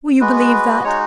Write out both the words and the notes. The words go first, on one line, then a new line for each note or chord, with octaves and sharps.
Will you believe that?
G#3 B3 F#4 B4
B4
G#3 D#4 F#4 C#5